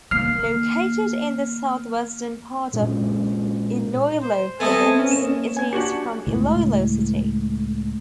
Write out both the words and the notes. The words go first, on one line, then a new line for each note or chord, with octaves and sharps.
Located in the southwestern part of Iloilo Province, it is from Iloilo City.
D#3 A#3 F6 C7
A#2 G#3 C#4 D4
C5
B3 C4 A4 D#5 E5 G#5
C#4
A#3 C#4 E7
G#5 G#6
D4 F#4 G4 C#7 F#7
C#2 A2